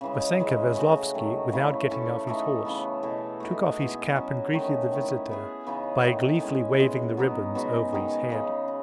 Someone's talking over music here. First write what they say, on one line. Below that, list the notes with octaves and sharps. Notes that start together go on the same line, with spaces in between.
Vassenka Veslovsky, without getting off his horse, took off his cap and greeted the visitor by gleefully waving the ribbons over his head.
C#3 E3 G#3
C#3 E3 G#3
A3 C#4 F#4
D#3 F#3 A3
C#3 E3 A3 E4
A3 C#4 E4 A4
E3 A3 D#4
C#3 E3 B3
B2 A3 E4 A4
A3 D#4 F#4
B2 G#3 B3 E4
F#3 C#4 F#4
D#3 A3 C#4
D#3 A3 E4
B3 E4 G#4
C#3 E3 B3 D#4
D#3 A3 E4
G#3 C#4 E4
B2 G#3 C#4
F#3 B3 D#4
B2 G#3 D#4 F#4
D#3 G#3 B3 D#4
C#3 G#3 D#4
D#4